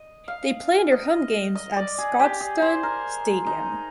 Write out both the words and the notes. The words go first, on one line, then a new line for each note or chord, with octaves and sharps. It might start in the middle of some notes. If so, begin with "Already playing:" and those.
They play their home games at Scotstoun Stadium.
Already playing: D#5
F5
D#5
D#5
D5
G#4
G4
G#4
C5
A#4
D#4